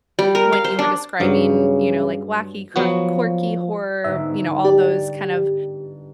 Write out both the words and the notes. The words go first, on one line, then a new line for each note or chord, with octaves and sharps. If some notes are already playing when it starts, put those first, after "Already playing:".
When you were describing, you know, like wacky, kirk quirky, horror, you know, all those kind of
G3
A#4
F5
C5
D4
G2 C#3 F#3
F3 F#3 B3 F#4
G1 G#2 E5
G4 D5